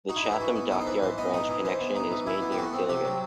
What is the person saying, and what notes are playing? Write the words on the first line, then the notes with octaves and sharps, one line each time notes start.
The Chatham Dockyard branch connection is made near Gillingham.
D#4 F#4
E4
E3 D#4
E4
E3 F#4
B3
D#4 A4
C5
E3 B4
E3 C5
B3 D#5
D#4 D#5
E3
E3 C5
B3
D#4
E3
E3 E4
B3
G4
A3 F#4
C4
C3 G4
F#3